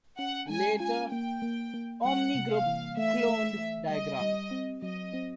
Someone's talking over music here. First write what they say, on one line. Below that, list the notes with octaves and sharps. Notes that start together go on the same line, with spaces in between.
Later, OmniGroup cloned Diagram!
C#4 F#5
G#3 G#5
F4 G#5
A#3 G5
A#3
A#3
G3 F#5
C3
F5
E3
A3 E5
A3
A3
G3 D#5
G3
C4
F#3 D#5
C4